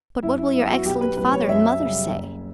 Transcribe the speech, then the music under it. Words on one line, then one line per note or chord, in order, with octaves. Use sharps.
But what will your excellent father and mother say?
F#2 E4
E4
E3 B3 E4
F#4
B1 G4
B4
A2 F#3 B3 B4
C#5
F#2 E5
C#3
G3
F#1